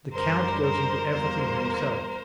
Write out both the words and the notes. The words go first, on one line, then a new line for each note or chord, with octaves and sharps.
The count goes into everything himself.
F#2 D3 G3 A#4 C5
A#4 C5
E2 B2 G3 A#3 A#4 C5